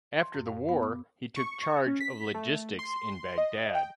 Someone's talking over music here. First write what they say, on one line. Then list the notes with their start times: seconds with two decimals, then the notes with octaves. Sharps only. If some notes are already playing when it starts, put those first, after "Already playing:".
After the war he took charge of logistics in Baghdad.
0.20 C6
0.34 F#2
0.46 F5
0.69 B3
0.83 D6
1.36 C#6
1.87 C#4
2.00 B6
2.35 A3
2.79 C6
3.38 D#5
3.75 G5